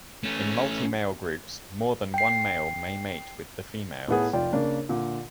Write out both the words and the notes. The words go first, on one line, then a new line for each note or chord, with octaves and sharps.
In multi-male groups, more than one male may mate with the females.
A3 C#4
G5 C7
A2 A3 B3 G#4
F1 F4 D5 G5
C#3 A#3 D4
A#2 D3